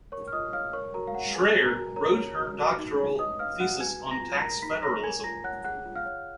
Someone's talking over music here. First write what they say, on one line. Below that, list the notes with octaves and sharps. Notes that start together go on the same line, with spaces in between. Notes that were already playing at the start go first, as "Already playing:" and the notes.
Schreyer wrote her doctoral thesis on tax federalism.
A#4 C#5 C#6
F6
F4 D#5 D#6
C#5 F5 F6
A#4 C#5 C#6
F#4 A#4 A#5
F5
C#5 F#5
G#4 B4 G#5
B4
A#4 A#5
F#4
A#4 C#5 A#5
C#5
F#4
F#4
D#4
C#5
B4 D#5 D#6
B4 F5 F6
F#4 F#5 F#6
B4 G#5 G#6
B4
A#5 A#6
F4
A#4 A#5 A#6
D#4 B5 B6
C#5 A#5 A#6
A#4 G#5 G#6
F4 A#5 A#6
C#5 F#5 F#6
G#4 F#5 F#6
F4
F5 F6
C#5